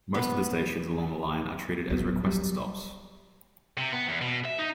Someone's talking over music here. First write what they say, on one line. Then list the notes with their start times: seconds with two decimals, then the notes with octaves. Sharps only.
Most of the stations along the line are treated as request stops.
0.14 B3
1.89 D1 A#1 F#3 B3
2.24 F#3 G3
3.77 C3
3.92 B3
4.08 E2
4.21 B2
4.45 E5
4.59 D#4